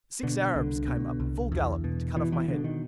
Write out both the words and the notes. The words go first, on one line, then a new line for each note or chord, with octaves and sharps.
Six Arabs came up, full gallop, to cut off my head.
B2 D3
C2 D3
B2
C2
E2
B2
B2 E3
E3
B2 D3
D#3